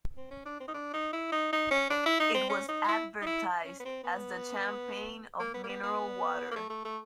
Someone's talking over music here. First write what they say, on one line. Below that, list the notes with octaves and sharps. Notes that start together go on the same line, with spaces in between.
It was advertised as the Champagne of mineral water.
C4
C#4
D4
C4
D#4
D4
D#4
E4
D#4
D#4
C#4
D4
E4
D#4
C4
C#4
D#4
E4
D#4
E4
C#4
B3
C4
B3
A#3
B3
A#3
B3
B3
A#3
A3
A3
A3